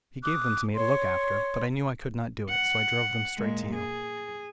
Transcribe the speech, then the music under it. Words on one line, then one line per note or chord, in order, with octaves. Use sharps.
'He gave them to me to look after, but I knew I could not do it, so I drove them straight to you.
D6 D#6 F#6
C#5 C6
F#5
A#2 G#3
G#4